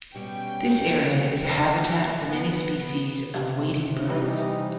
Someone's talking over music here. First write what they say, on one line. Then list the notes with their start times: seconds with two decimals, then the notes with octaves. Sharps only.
This area is a habitat for many species of wading birds.
0.15 B2 G3 B3 C#4 G5
1.01 C5 C#5
2.29 B3
3.34 C3
4.07 C3 E3 G3 D#4